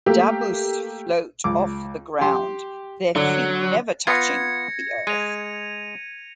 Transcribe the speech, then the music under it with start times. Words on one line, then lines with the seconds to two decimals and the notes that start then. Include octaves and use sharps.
Dabus float off the ground, their feet never touching the earth.
0.06 A3 A#3 G4
1.44 C#2 D6
2.21 G4 C6
3.16 D3 F#3
4.07 B3 F4 G#6 A#6 C#7
5.07 G#3 D#7 F7